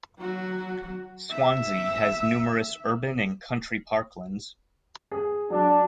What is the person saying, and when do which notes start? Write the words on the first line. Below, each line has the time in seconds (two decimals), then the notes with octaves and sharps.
Swansea has numerous urban and country parklands.
0.18 F#3 F#4
1.30 E5
5.12 G#4
5.50 F#3 D4